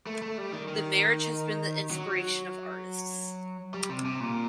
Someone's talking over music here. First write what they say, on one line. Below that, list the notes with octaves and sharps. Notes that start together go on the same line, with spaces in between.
The marriage has been the inspiration of artists.
A3
A3
G3
D#3
D#3
F#3
G3
C3
C3
A#2